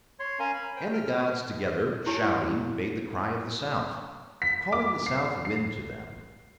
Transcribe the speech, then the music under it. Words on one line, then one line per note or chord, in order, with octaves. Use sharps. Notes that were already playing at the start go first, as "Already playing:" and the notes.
And the gods together shouting made the cry of the south, calling the south wind to them.
C#5 C6
C#4 A#4 F5 G#5 A#5
B5
C5 G5
G5 F6
F#4
E4 G4 C#5 G#5 A5
B6
D6
C7
C7